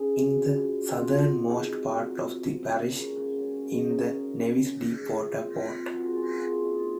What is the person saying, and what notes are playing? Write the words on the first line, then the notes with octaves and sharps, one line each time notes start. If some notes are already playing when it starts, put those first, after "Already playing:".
In the southernmost part of the parish is the Nevis deep-water port.
Already playing: C#3 C#4 D#4 G#4 A#4
F#2
F3
F#2
F3 F4
F4
C3
D#4 F#4
G#3
C4
F3 F#4 A#4
C3
A#3
C#4
G#3 A#4 C#5
C#3
C#4
C#3
D#5
A#3 A#4 C#5
D#3
C#4
D#3
G#3
A#2
C4
A#2
F3 F#4 A#4
F4 G#4
A#2 F4 G#4
F#4 A#4
A#3 F4 G#4
F4
A#2 D#4
F4